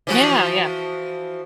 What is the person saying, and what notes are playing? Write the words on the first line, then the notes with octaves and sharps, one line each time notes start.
Yeah, yeah.
E3 F3 F#4